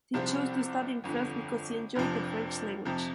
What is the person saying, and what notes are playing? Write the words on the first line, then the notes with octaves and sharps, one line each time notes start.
She chose to study in France because she enjoyed the French language.
C2 C3 F3 C4 G4
G1 F2 D3
F1 F2 C3 F3 D4
F2 C3 F3